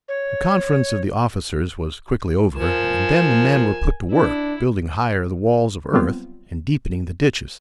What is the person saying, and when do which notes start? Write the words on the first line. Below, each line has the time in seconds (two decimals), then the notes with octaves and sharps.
The conference of the officers was quickly over, and then the men were put to work building higher the walls of earth and deepening the ditches.
0.08 C#5
2.58 F3 A#4 G#5 E7
4.12 D4 E4
5.93 F#3 G3 B3 C4 F4